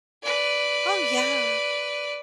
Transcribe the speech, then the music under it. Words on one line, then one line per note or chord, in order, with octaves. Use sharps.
Oh, yeah.
B4 D5